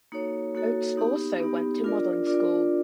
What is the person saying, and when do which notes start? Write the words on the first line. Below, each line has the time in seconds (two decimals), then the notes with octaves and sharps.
Oates also went to modeling school.
0.12 A#3 D#4 F#4 A4 C#5
0.55 A#3 D#4 F#4 A4 C#5
0.97 B3 D#4 G4
1.40 B3 D#4 G4
1.84 D4 F4 A#4 D5
2.27 D4 F4 A#4 D5